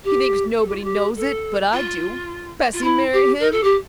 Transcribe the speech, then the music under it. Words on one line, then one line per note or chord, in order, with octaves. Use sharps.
He thinks nobody knows it, but I do. Bessy marry him?
G4
A4
G4
F4
G4
A4
F4
F4
E4
G4
A#4
A4
G4